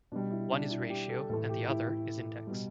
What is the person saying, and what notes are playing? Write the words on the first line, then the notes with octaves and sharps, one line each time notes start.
One is ratio and the other is index.
B2 G3 D4
E4
D4
E4
G4
A4
A2 E3 A3 A4
G4
E4
E4
B2 G3